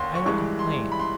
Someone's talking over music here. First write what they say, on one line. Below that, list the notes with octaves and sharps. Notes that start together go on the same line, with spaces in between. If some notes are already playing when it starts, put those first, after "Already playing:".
I don't complain.
Already playing: D#2 D3 C6
C#6
G2 E3 G#3 C#6
C6
B5
C6